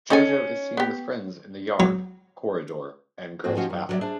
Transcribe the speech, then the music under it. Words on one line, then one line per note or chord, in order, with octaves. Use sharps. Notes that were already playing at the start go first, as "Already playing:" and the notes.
JoJo is seen with friends in the yard, corridor and girls' bathroom.
C#4 D#4 A4 G#5
B3 G4
F#3
G#2 G#3 A3 C4 F#4 G#4
F3 C#4 D#4 F#4 G4 C5
F#2
F#3 F#4 A#4 D5 E5
D4 G#4 C5